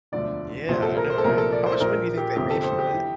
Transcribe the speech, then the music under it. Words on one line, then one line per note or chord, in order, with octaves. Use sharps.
Yeah I know, right? How much money do you think they made from that?
E1 D2 D3 F3 D5
C2 A#2 F3 C5
A4
A#4
C5
A4
C2 A#2 F3 A#4
A4
D5
C5
A#1 A#2 F3 A#4
G4
G1 F2 C3 F3 G4
A4
C5
G4
E3